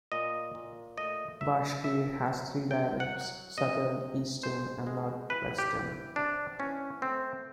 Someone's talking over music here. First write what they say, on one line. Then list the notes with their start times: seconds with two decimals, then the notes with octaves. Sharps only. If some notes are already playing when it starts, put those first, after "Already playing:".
Bashkir has three dialects: Southern, Eastern and Northwestern.
0.12 A#2 D#5
0.55 A#2
0.98 A3 D#5
1.41 F#3 E5
1.84 A#2 E5
2.28 F#3
2.71 F#3 G5
3.00 F#5
3.15 F#3
3.58 C3 D#5
4.01 C3
4.43 G#3 C5
4.87 G#3
5.30 E3 B4
5.58 G4
5.73 E3
6.16 C3 D4
6.59 E3 C#4
7.02 A3 C4